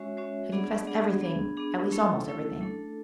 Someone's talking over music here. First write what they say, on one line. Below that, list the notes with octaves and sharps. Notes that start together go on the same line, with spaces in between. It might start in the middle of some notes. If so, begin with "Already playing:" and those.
I confessed everything--at least, almost everything.
Already playing: G#3 C#4 F#4 C#5 E5
G#3 C#4 F#4 C#5 E5
B3 D4 G#4 D5 F#5
B3 D4 G#4 D5 F#5
B3 D4 G#4
B3 D4 G#4
A3 C#4 E4 A4
A3 C#4 E4 A4
A3 D4 A4